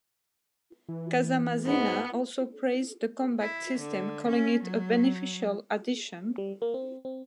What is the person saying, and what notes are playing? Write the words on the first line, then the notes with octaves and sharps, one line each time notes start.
Casamassina also praised the combat system, calling it "a beneficial addition".
E3
G#2 B3
E4
D3
C#4
F#3
G3
A#3
C4
C4